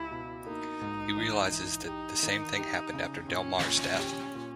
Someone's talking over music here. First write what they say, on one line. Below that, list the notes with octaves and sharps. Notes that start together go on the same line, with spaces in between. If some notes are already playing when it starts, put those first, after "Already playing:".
He realizes that the same thing happened after Delmarre's death.
Already playing: C#2 E4 G4
B2
A#3 D#4
G#2
E3
E3
D#4 G4
D#3
G4
C#3
A#2 C#4
A#2
G4
A#2